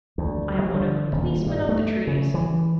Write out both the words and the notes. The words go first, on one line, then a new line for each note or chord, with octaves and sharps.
I am one of the policemen of the trees.
D2
G3
D3
D#1
G2
A3
C#3
E3